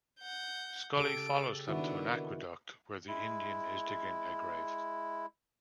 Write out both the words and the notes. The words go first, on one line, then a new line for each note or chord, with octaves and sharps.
Scully follows them to an aqueduct where the Indian is digging a grave.
F#5 G6
C#3 G4 A4 D7
D#3 B3 D4 E4 F#4
G#3 E4